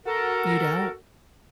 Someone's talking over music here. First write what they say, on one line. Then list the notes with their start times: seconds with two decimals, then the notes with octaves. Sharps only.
You don't?
0.06 F#4 A4 A#4